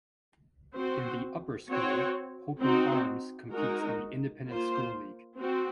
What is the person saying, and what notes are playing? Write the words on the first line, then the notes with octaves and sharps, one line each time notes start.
In the Upper School, Holton-Arms competes in the Independent School League.
C4 F#4 C5
C4 F#4 C#5
C4 D#4 F#4
G#3 D#4 F#4 A#4
A#3 F4 C5
C4 F#4